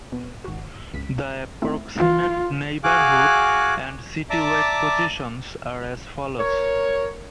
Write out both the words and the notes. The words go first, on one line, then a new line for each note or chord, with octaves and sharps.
The approximate neighborhood and citywide positions are as follows.
B2
G#1 F#4
C#2 B6
A3 C4 E4
C#2 E3 F4
F#4 G#4 F5 G#5 D6 F#6
D5 E5 A5 A#5 D6
A#4 C#5